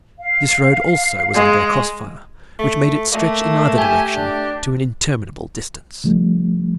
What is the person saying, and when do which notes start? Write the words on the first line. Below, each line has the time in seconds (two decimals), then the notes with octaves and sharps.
This road also was under a cross-fire, which made it stretch in either direction to an interminable distance.
0.19 F5
1.35 G#3
2.59 A3
3.12 A3 A#3
3.78 G4 G#5
4.15 D4
6.04 C#3 F3 G3 A3